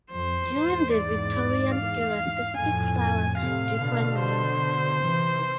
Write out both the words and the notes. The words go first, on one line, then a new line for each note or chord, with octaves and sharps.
During the Victorian era, specific flowers had different meanings.
F2 C5
E2 G#2
D5
F5
F2 A2 G#5
G#5
A2 C3 F5
B2 D3
C5
C3 E3